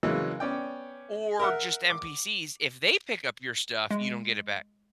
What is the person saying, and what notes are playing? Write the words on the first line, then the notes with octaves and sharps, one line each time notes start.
or just NPCs, if they pick up your stuff, you don't get it back.
C#3 E3 F#3 G#3 A#3 C#4
B3 C#4 D5 G5
A#4 E5 F#5
D6
G#3